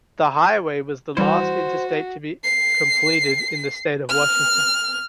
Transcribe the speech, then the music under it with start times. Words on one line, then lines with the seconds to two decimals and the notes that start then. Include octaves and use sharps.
The highway was the last Interstate to be completed in the state of Washington.
1.17 E3 G3 E4 F#4 C5
2.44 C7
4.09 F6